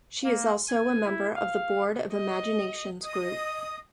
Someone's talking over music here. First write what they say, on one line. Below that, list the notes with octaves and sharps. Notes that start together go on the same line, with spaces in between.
She is also a member of the board of ImagineNations Group.
A#3
G#5
E4
F5
D#5
D#5 D#6